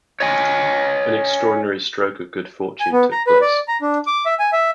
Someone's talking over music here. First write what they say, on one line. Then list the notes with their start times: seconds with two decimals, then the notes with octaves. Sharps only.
An extraordinary stroke of good fortune took place.
0.20 C#5 D#5 G#5
2.80 G#5
2.92 B3
3.12 A#5
3.27 B4
3.41 D5
3.68 A#5
3.81 D4
4.07 D6
4.26 E5
4.39 G#5
4.53 E5